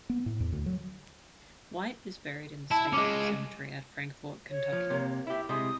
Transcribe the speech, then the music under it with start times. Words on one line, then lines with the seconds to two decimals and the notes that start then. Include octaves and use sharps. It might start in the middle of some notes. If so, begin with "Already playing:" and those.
White is buried in the State Cemetery at Frankfort, Kentucky.
0.10 B3
0.26 A2
0.40 E2
0.52 D2
0.66 F#3
2.71 E4 A5
2.93 G#3 C#4 D6
4.50 C#5
4.72 F3
4.90 C3 A#3
5.27 E4 G4 E5
5.49 C3 G#3 E4 D#6